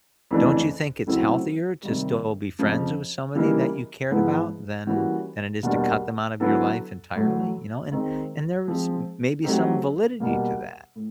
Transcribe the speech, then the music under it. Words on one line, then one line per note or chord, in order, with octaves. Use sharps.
don't you think it's healthier to still be friends with somebody that you cared about than than it is to cut them out of your life entirely, you know," and and there was maybe some validity to that,
F2 C#3 E3 A3 D4
C#3 F#3 A3 C4 E4
C3 D#3 G3
F2 C#3 F3
C#3 E3 G3 A#3 D#4
G#2 F3 G#3 B3 E4
E3 G3 A#3 C#4 F#4
E2 B2 G3 A#3 D4
D3 F#3 B3 E4 A4
A2 F#3 A3
D#3 G#3 C4 D#4
F3 G#3 C4
F#3 A3 C4 D#4 G4
B2 G3 A#3
A2